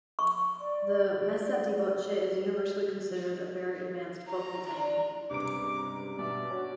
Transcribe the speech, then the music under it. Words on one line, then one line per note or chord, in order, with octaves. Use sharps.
The "messa di voce" is universally considered a very advanced vocal technique.
C#6
D5
A#5
D4 F4
C#2 G2 C3 A#5 D6 D7
B2 D5 E5
C#4 F#4